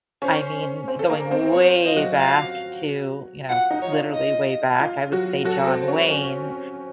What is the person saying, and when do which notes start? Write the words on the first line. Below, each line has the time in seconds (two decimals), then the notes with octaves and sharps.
I mean, going way back to, you know, literally way back, I would say John Wayne
0.22 C#4 C5 C#5
0.88 C4 C5
0.99 A4
1.09 A#3 A#4
1.31 C4 C5
1.53 C4 C5 C#5
1.75 F4
1.85 F4 D#5
1.97 F#3 F#4
2.18 F5
3.49 F4 F#5
3.71 D#4
3.82 C#5
3.92 F4
4.14 D#5
4.79 F4
5.12 F#3 F#4
5.45 F#3 F#4 A4
5.67 C4 C5
5.88 C#4 C#5
6.10 C#4 C#5